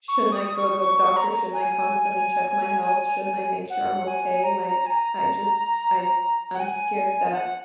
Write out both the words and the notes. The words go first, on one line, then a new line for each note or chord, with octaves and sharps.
shouldn't I go to a doctor? Shouldn't I constantly check my health? Shouldn't I make sure I'm okay? Like, I just, I I'm scared that
C#6
D#6
C#6
C#6
A#5
G#5
F#5
G#5
A#5
A#5
G#5
A#5
F#5
G#5
F#5